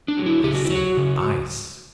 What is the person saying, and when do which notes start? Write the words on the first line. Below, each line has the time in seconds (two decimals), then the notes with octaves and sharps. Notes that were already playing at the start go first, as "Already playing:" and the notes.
"I said ice."
0.08 D4
0.17 F#3
0.26 E4
0.44 C#3 G4
0.54 F#4
0.65 E4
0.70 F#3
0.75 F#4
0.97 C#3